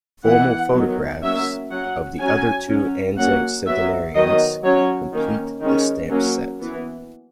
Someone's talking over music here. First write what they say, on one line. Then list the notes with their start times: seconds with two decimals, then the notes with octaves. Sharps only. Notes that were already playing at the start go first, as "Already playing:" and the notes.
Formal photographs of the other two Anzac centenarians complete this stamp set.
0.25 E3 B3 F#5
0.73 D#3 F#3 B3
1.22 F#3 A#3 C#4 E5
1.70 F#3 C#4 F#5
2.20 F#3 C#4 G#5
2.69 F#3 C#4
3.17 F#3 A#3 C#4 F#5
3.66 F#3 B3 E5
4.15 D#3 F#3 B3 D#5
4.64 F#3 C#4 C#5
5.13 D#3 A#3 C#4
5.61 D#3 G#3 C#4
6.10 F#3 A#3 C#4
6.59 E3 B3